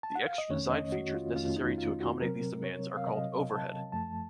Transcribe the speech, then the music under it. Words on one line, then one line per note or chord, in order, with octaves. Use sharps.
The extra design features necessary to accommodate these demands are called overhead.
A5
F#5
F5
D#5
F2 D#3 A3 C#4 C#5
D#5
F#4
F4
F2 D#3 A3 C#4 F4
D#4
F4
F#4
C3 F#3 C4 A#4
C#5
F5
C3 F#3 C4 D#5
A5
F#2 F3 A3 A5